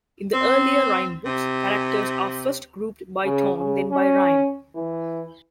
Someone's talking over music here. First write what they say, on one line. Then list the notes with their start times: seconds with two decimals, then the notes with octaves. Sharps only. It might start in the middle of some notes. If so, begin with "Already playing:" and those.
In the earlier rime books, characters are first grouped by tone, then by rime.
0.33 C4
1.25 C3
3.24 C#3
3.58 C#3
3.91 C#4
4.75 E3